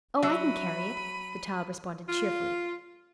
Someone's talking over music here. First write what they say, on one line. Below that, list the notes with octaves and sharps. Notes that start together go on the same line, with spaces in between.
"Oh, I can carry it," the child responded cheerfully.
F#3 E5 B5 D#7
F4